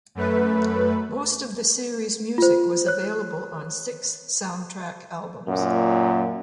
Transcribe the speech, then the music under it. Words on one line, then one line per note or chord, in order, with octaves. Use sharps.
Most of the series' music was made available on six soundtrack albums.
F#2 A3 B4
F4 C5
C#5 F#6
F#2 A#2